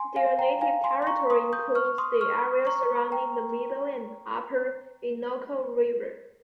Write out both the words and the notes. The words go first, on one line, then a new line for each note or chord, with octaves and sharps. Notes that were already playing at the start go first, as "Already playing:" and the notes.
Their native territory includes the area surrounding the middle and upper Innoko River.
Already playing: G#5 C6
F5 G#5
G5 A#5
F5 G#5
G#5 C6
C6
A#5 C#6
C6 D#6
D#6 G6
C#6 F6
C6 D#6
C#6 F6
A#5 C#6
G5 A#5